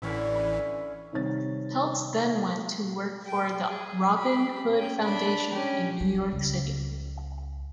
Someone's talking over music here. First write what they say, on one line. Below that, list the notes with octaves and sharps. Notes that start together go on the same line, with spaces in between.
Peltz then went to work for the Robin Hood Foundation in New York City.
A1 D3 E3 C#4 E5
G#5 B5
C3 D#3 G3 C#5 A6
G5
G#4
G4 B5
C#4 G5
D4 B5
C#4 G4
G3
C#2